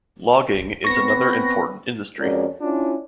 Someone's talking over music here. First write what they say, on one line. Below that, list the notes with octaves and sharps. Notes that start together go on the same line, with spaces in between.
Logging is another important industry.
B3 C4 B4 C#6 A#6
F2 G#3 C#4 F#4 A#4 D5
C#4 D4 E4 F4